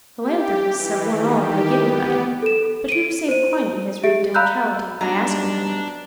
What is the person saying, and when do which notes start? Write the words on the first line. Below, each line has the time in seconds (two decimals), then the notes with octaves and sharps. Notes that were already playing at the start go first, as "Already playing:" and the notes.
Philanthropists have won all by giving money, but who save Quiney has reaped immortality by asking for it!
0.21 G4
0.74 E3
1.06 D#3
1.41 G4
1.75 B3
2.43 A4 E7
2.89 D7 D#7
3.28 C5 D#7
4.04 G4 E5 D7
4.34 F5 A#5 B5 E6 F#6 G6
5.01 F#3 G3 B3 D4 D#4 F#4 D5 A#5